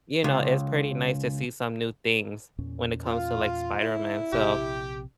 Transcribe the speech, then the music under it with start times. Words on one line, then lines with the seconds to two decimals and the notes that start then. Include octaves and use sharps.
you know, it's pretty nice to see some new things when it comes to, like, Spider-Man, so
0.24 C#2
2.58 E2 A#2 C#4
3.06 F4
3.81 E4
4.33 A#1 C3 G4